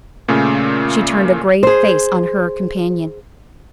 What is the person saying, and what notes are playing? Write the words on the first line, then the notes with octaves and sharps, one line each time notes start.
She turned a grave face on her companion.
A#2 C#3 A3 C#4
G#4 C5